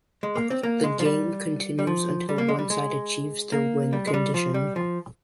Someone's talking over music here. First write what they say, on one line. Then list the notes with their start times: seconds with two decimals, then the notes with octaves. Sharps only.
The game continues until one side achieves their win condition.
0.23 G#3
0.36 A#3
0.50 C4
0.63 A#3
0.84 G#3
1.00 F3
1.05 G3
1.79 G3
1.87 F3
2.29 G3
2.38 A#3
2.48 G#3
2.59 G3
2.70 G#3
3.52 A#3
3.93 G3
4.07 G#3
4.14 G3
4.34 F3
4.54 G3
4.76 F3